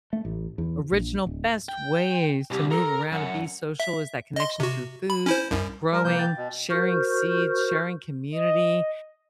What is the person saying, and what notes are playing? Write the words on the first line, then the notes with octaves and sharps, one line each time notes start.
original best ways to move around and be social is that connection through food, growing, sharing seeds, sharing community,
A3
A1
E2
A#1
D1
G5
C2 G4
A4 A#4
F#2 F#5
E5
D#5 C6
C3 F#4
B5
C#4 E4 C5
C2 F#2
G3 A#4
C3 E3 A#3 G6
G5 A6
B2
F#4 A#4 C5
D#5